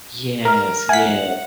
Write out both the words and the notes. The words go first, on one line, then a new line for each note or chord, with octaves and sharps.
Yes, yes,
A#4 A#5 F6
E5 F#5 G#5 B6